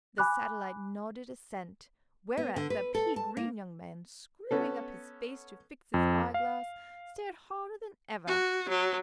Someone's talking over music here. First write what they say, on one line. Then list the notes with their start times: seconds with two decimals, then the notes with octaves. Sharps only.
The satellite nodded assent, whereat the pea-green young man, screwing up his face to fix his eye-glass, stared harder than ever.
0.18 G#5 B5 D6 F#6
2.37 B3
2.56 D3
2.70 B4
2.95 A4
3.16 A5
3.37 A#3
4.51 B3 C#4 A4
5.94 F2
6.34 F5
8.27 F#4
8.69 F#3